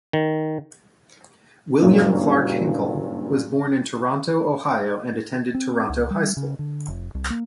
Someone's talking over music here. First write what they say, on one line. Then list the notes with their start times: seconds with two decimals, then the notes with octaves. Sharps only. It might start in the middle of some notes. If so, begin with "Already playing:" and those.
William Clarke Hinkle was born in Toronto, Ohio and attended Toronto High School.
0.13 D#3
1.82 F#1 G2 A#2 F#3
5.54 C4
5.89 C#2
6.11 G3
6.37 C#3
6.59 D3
6.88 F1
7.15 C2
7.30 A#3